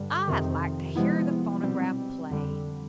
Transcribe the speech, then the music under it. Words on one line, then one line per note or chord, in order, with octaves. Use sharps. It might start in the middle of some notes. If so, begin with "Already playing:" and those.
"I'd like to hear the phonograph play."
Already playing: G2 D3 G3
F2 C3 D#3
C3 F3 G#3 B3 E4
B2 G3 C4
F2 D3 G3